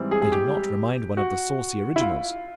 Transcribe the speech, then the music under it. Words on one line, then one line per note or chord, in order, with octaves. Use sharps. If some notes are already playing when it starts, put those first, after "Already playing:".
They do not remind one of the saucy originals.
Already playing: G#2 E3 G3 C4
G#4
G#4
G4
F#4
E4
F4